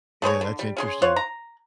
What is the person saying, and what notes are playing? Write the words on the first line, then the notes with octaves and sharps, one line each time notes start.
Yeah, that's interesting.
A3 G#4 C5 C#5
D3
G3
C#4 G#4 C6
F4 C5 C#5 F#5
A#5